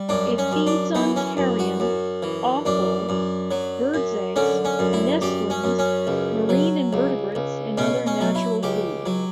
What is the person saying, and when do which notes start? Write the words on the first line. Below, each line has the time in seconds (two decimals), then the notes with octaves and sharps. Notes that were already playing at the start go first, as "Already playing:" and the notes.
It feeds on carrion, offal, bird eggs, nestlings, marine invertebrates and other natural food.
Already playing: G3
0.09 F#2 D4
0.38 C#4
0.52 F#2
0.67 D4
0.95 E3 B3
1.16 C#4
1.37 F#2
1.59 F#4
1.80 F#2
2.23 E3
2.65 F#2 D4
3.09 F#2
3.51 F#3
3.94 F#2
4.36 D3 C#4
4.65 C#4
4.79 F#2
4.93 E4
5.21 F#2 G4
5.50 C#4
5.64 F#2
5.79 C#4
6.07 C#2
6.49 F#3
6.93 C#2
7.35 C#2
7.77 B2 C#4
8.07 C#4
8.20 F#3
8.35 E4
8.63 C#2 G4
9.06 F#3